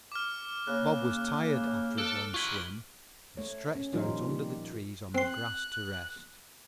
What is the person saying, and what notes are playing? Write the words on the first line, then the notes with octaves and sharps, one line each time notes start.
Bob was tired after his long swim and stretched out under the trees on the grass to rest.
D6 F6
C#3 A#3 F#6
A4 F6 F#6 D7
F4 B5 C#6 G#6 G7
A3 C#5
C#4
D#3 F3 G3 D#4 F4
A#2
G4
C4 C6 F#6